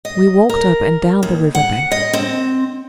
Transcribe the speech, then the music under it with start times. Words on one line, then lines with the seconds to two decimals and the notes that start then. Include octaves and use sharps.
We walked up and down the river-bank.
0.05 D#5
0.49 A#4
1.23 D#2
1.55 F#5
1.91 D#5
2.13 C4